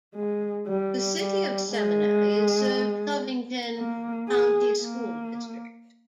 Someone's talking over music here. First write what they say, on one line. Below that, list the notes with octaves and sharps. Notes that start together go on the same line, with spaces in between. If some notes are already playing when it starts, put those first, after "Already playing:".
The city of Seminary is served Covington County School District.
G#3
G3
G3
G#3
A#3
G#4
A#3